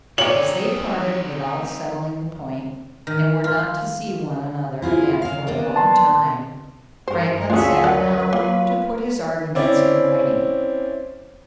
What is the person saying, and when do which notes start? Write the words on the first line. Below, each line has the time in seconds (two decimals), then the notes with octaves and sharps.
As they parted without settling the point, and were not to see one another again for a long time, Franklin sat down to put his arguments in writing.
0.18 C4 D#4 C#5 D5 F#7
3.07 D#3
3.44 F4
4.82 E4 F4 G#4
5.22 C#3 F5
5.47 A#3 B3 D4
5.76 A5 C6
7.08 G2 A#4 C5
7.50 D2 F#3 C#4 D4 F4 G#4 E5
7.84 F#2 F#3 B4 D5 F#5
8.33 A#3 F4
9.55 C4 C#4 E4 D5